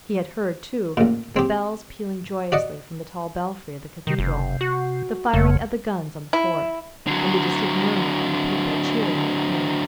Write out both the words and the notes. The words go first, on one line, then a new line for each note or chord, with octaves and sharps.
He had heard, too, the bells pealing joyously from the tall belfry of the Cathedral, the firing of the guns on the fort, and the distant murmur of the people cheering their Queen.
A1 A#2
C4 G4
F#4 D5 D#5 F#5
C3 D#3
F#1
F#4
F#1 F2 C#3 A3
E4
D3 F#3